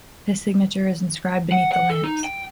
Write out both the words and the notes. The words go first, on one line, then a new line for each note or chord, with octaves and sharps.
His signature is inscribed beneath the lamps.
F#5
F#5
A4
D#4
G5